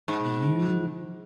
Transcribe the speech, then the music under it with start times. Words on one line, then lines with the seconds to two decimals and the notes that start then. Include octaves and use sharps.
Do you
0.08 G#2